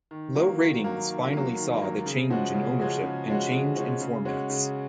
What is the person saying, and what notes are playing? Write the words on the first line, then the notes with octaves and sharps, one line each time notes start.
Low ratings finally saw the change in ownership and change in formats.
D#3
F#3 A#3
D#3
F#3 A#3
D#3
F#3 A#3
D#3
F#3 A#3
C#3
F3 G#3 C#4 F#4
C#3
F3 G#3 C#4 F#4
C#3
F3 G#3 C#4 F#4
C#3
F3 G#3 C#4 F#4
C#3
G#3 C#4 F#4
C#3